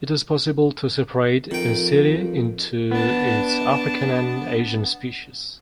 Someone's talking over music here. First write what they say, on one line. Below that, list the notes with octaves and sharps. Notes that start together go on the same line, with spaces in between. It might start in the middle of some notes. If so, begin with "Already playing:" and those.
It is possible to separate "Ensete" into its African and Asian species.
F2 D#3 G5
B3 D4 A5